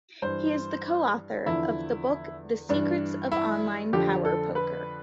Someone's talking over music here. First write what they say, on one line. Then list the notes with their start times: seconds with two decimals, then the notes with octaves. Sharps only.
He is the co-author of the book "The Secrets of Online Power Poker".
0.22 G2 E3 C5
1.45 E2 D3 F3 E4
2.69 G2 E3 D4
3.32 E4
3.93 F2 D3 F3 G4
4.25 A4
4.55 B4